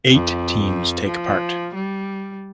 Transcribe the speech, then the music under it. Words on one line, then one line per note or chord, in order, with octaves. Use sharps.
Eight teams take part.
F2
F3
G3